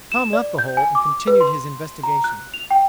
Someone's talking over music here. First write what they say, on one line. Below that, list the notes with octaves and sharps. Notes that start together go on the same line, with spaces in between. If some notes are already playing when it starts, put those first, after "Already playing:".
Tom left the hole, and continued his investigations.
E7
D5
G6
G#5
D6
B4
C6
A#5
F#6
F7
G5